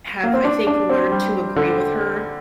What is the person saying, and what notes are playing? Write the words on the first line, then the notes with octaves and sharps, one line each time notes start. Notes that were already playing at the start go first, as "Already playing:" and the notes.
have, I think, learned to agree with her,
A#3
C4
D4
D4
C4
G3
D3